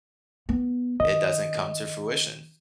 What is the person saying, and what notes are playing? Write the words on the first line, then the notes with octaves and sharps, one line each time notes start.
it doesn't come to fruition.
B3
D#3 D#5